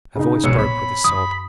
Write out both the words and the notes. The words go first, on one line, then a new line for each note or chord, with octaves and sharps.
Her voice broke with a sob.
C#3 D#4
B1 G#2 B2 F#3 C#5 E6 C#7
A#2 B3 B5
F#2 D#6